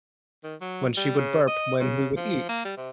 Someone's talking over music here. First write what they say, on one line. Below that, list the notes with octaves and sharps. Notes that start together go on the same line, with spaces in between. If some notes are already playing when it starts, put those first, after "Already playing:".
when she would burp, when we would eat,
D#3
F#3
G3
C#3
D#5
C#3
F3
A#3
G3
C3